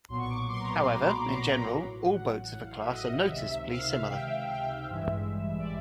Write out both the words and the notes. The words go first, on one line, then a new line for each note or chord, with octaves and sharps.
However, in general, all boats of a class are noticeably similar.
B1 A#2 F#3 B3 C6
C#6
D6
C#6
C6
A#5
B5
A1 A2 F#3
F#5
F#5
F5
E5
D#5
F5
C#2 C3 D#3 E5
F5
G5
G5
A1 G2 E3 G#3 E5
D5